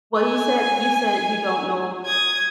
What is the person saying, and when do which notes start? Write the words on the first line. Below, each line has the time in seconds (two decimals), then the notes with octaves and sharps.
Well, you said you said you don't know
0.21 G#5
2.06 D#6 G#6